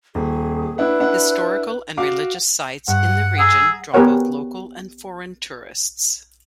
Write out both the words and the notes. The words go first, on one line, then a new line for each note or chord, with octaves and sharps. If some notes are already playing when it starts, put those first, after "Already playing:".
Historical and religious sites in the region draw both local and foreign tourists.
D#1 G#4
D4 E4 B4 F#5
D4 E4 F#5
F#4 F5 D6
G2 F#5
G#4 F#5 A#5 E6
B3 G4 G#4 A#4 C#5 F#5